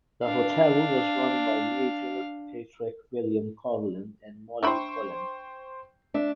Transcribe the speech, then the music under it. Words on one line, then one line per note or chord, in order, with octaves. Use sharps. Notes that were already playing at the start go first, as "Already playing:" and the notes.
The hotel was run by Major Patrick William Coghlan and Molly Colan.
D4 F5
D4 C5 E5 G5 B5 C#6
D4 E5